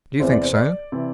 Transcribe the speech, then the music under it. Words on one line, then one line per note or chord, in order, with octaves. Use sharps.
"Do you think so?"
E2 C3 E3 C4 C5
D5
C5
D5
C3 E3